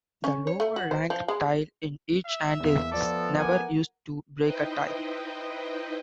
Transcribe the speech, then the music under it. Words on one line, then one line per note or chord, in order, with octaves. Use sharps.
The lower-ranked tile in each hand is never used to break a tie.
C#4
C#5
A3
F#4
C5
F3
G#3
E5
E2 E3 G#3 A#3
F3 A3 B3 A4 D5 D6
A#4 F#5 G#5 D6
D#4 E4 B4 C5 D#5 G5